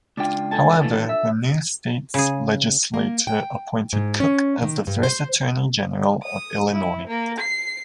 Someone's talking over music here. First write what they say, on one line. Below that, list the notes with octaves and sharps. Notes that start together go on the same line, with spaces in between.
However, the new state's legislature appointed Cook as the first Attorney General of Illinois.
C#2 D4 F4 G5
A4 G#5 A5
D#2 A2 E3 A4
E5
C#3 G#4
A#3
G5
G#2
C#4
D#3
G2
C5
D#6
E4
A#3
C7